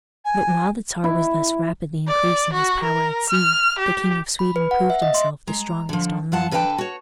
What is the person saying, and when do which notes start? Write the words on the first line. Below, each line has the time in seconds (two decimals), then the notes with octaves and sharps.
But, while the Czar was thus rapidly increasing his power at sea, the King of Sweden proved himself the strongest on land.
0.24 G#5
1.04 E4
2.08 D5
2.53 F#4
2.83 A#4
3.29 F6
3.79 G4
4.39 B5
4.56 B4
4.71 F#5
4.90 E5
5.02 D#5
5.14 C6
5.47 G#3 A#5
5.89 D3 F3
6.32 F#2 F4 F#5 A5
6.51 D3 B4 D#5 F5 G5 A5
6.78 F#4 C#5